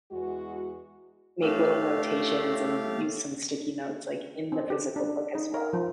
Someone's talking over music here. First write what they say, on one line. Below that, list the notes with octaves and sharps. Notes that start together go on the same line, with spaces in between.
make little notations, and use some sticky notes, like, in the physical book, as well.
E2 G#3 F#4
A2 A3 G4 F5
C4
G4
D4
D#4
A#4
F3